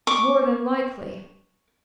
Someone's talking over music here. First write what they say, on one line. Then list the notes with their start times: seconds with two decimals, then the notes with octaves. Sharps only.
"More than likely."
0.07 C#6 D6